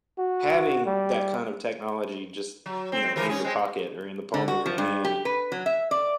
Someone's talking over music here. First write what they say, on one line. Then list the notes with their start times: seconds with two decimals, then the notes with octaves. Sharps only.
having that kind of technology just, you know, in your pocket or in the palm of your hand
0.19 F#4
0.86 G3
2.66 F#3
2.92 C4
3.16 E3 F3 A#4
3.29 C#4 G#4
3.44 G#3 C4
4.34 D3
4.48 F#4
4.66 F3
4.78 G2
5.05 G4
5.25 B4
5.52 F#3
5.66 E5
5.91 D5